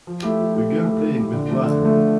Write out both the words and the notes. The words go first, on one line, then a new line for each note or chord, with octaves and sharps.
A girl playing with water.
F3
A3 E4 G4
F3
A3 E4 G4
F3
A3 E4 G4
F3
A3 E4 G4
D3
F3 A3
D3
F3 A3
D3